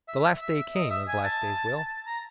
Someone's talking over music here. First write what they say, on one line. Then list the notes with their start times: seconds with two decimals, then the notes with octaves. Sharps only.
The last day came, as last days will.
0.08 E5
0.41 E5
0.75 D#5
0.91 E5
1.08 G#5
1.24 A5
2.06 A#5